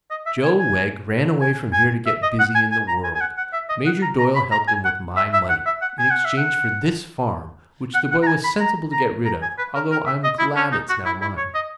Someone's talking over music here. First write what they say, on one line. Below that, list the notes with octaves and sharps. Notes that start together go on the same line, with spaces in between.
Joe Wegg ran away from here to get busy in the world. Major Doyle helped him with my money, in exchange for this farm, which the boy was sensible to get rid of--although I'm glad it's now mine.
D#5
E5
G#5
G#5
G#5
G#5
E5
D#5
F#5
G#5
G#5
A#5
G#5
G#5
F#5
F#5
E5
D#5
F#5
A#5
A#5
B5
A#5
G#5
F#5
E5
E5
F#5
E5
F#5
G#5
F#5
E5
F#5
F#5
F#5
A#5
G#5
B5
A#5
A#5
A#5
G#5
B4
A#4
A#4
E5
D#5
E4
C#4
D#4
F#4
E4
E4
C#5
D#5